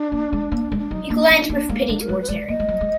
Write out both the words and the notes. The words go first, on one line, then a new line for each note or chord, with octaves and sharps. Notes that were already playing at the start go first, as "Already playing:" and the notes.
He glanced with pity towards Harry.
Already playing: D4
A#3
G#3
A#3
G#3
D4
F#3 D#4
A#3 D4
B3 D4
A#3 D4
G#3 A#3
G#3 D4
A#4
G#3 B4
B4
G#3 D5
A#3 D#5
G#3
F#3
G#3